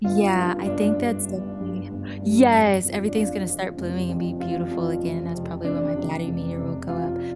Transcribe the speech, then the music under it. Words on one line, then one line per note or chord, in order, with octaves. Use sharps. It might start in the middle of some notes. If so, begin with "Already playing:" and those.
Yeah. I think that's definitely Yes, everything's gonna start blooming and be beautiful again, that's probably when my baddie meter will go up.
G1 F4
G2 G3
G1 D4
G2 G3
G1
G2 G3
G1
G2 G3
F1
F2 F3
D4
F1 F4
F2 F3
F1
F2 F3
F1 F4
F2 F3
F1
F2 C3
F1 D4
F2 C3
F1
F2 C3
F1 F4